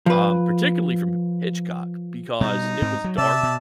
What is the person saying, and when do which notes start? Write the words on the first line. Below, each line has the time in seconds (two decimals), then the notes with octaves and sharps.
um, particularly from M Hitchcock because it was dark,
0.06 F3 B4
2.41 B2 G3 D#4
2.82 G#2 C4
3.04 F#3
3.18 C3 D5 E5 A5
3.43 B2